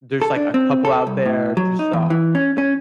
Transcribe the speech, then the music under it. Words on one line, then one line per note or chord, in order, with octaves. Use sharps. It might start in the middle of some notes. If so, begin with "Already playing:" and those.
There's, like, a couple out there, just, uh,
A4
D4
C4
A4
C2
A2
F#3
D#4
E2
E3
C#4
C#4